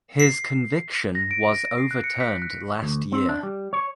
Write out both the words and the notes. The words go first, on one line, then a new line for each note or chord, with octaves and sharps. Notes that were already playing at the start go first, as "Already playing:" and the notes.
His conviction was overturned last year.
C7
A#6
D7
A#6
C7
F#6
C#7
B6
F#6
D2
C4
D4
G3
C#5